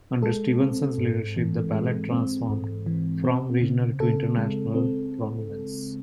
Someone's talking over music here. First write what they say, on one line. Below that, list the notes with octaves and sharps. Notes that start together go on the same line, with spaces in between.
Under Stevenson's leadership, the ballet transformed "from regional to international prominence".
G#3 A4
C4
G#2
E3
G#3
C4
G#2
E3
C4
C#3
C#3 A4
G#3
C4